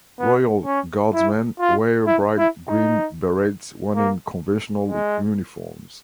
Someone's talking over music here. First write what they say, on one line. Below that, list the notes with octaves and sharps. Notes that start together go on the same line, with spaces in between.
Royal Guardsmen wear bright green berets when in conventional uniforms.
B3
C#4
E4
F4
E4
E4
D#4
A#3
G#3